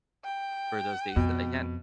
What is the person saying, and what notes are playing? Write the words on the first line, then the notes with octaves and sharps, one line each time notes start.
for those days that I can.
G5
F2 B2